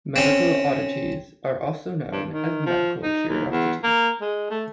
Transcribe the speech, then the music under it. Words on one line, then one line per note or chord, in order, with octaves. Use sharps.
Medical oddities are also known as "medical curiosities".
C4 C#4
G2
D#3
F3
D#4
D#2
E2
A#3
G#3
A3